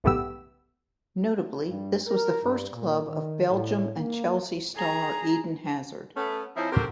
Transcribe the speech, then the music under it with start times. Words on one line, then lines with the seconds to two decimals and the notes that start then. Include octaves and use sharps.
Notably, this was the first club of Belgium and Chelsea star Eden Hazard.
0.04 B1 A3 B3 G4 E6
1.68 G2
2.07 A#4
2.43 G2
2.73 A#2
3.08 D#3
3.50 A2
3.97 A#3
4.75 G#4 A#5
6.16 A3 B3 C#4
6.57 F3 C4 C#4 D#4 E4
6.72 C3 C4 F#4 G4 A4 A#4